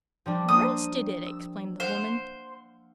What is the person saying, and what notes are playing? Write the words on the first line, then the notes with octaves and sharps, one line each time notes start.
'Roasted it!' explained the woman.
F3 G3 D4
A#3 C5 D#6
E6
C5 F5 F#5